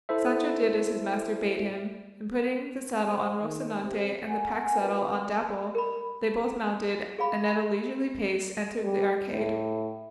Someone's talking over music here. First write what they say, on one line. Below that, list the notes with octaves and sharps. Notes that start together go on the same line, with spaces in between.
Sancho did as his master bade him, and putting the saddle on Rocinante and the pack-saddle on Dapple, they both mounted and at a leisurely pace entered the arcade.
E4 A4 C5 E5
C5
D#3
C3
A#4 F#5 G#5
C4 D4 F4 F#4 A#4 B4
A#4 B5
G#4 F5 B5
G3
A2